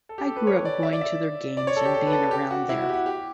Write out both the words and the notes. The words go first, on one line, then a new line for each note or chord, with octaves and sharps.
I grew up going to their games and being around there.
A4
G4
A4
B4
C#5
D5
E5
D5
E5
D5
C#5
A4
G4
A4
B4
A4
G4
F#4
E4
F#4
G4
F#4
G4